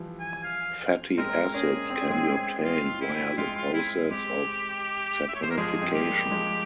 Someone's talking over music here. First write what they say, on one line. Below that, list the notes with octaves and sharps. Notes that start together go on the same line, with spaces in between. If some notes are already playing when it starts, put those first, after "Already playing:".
Fatty acids can be obtained via the process of saponification.
Already playing: E3 F3 G3
G#5
F5
G#3 C4 A#4
A#3 C#4 G#4
C4
C#4
G#3 C4
F4
E4
G#3 C4 F4
F4
E4
G#3 C4 G4
E5
C#5
C5
A#4
F3 G#3 G#4
G#3 C4
G4
G3 A#3
F3 G#3